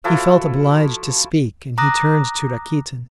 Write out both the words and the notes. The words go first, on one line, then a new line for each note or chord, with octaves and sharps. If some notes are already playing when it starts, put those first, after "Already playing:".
He felt obliged to speak and he turned to Rakitin.
F3 E4 F#4 A4
A#5 D6 D#6 F#6 A#6